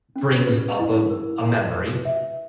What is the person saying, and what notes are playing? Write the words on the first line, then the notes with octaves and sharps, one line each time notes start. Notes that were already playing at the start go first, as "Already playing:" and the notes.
brings up a a memory,
C#4
B4
E4
A#4
G#5
B4
E5